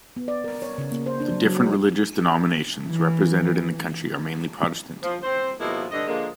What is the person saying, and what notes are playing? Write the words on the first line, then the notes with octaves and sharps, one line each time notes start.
The different religious denominations represented in the county are mainly Protestant.
B3
D5
A#4
C#5
C#3
A#3
C5
D4
F#3
F#3
G#3
E3
F3
C4 C5
B2 F3 G#3 A#3 E4
G2 D3 D#5
D3 F3 G#3 A#3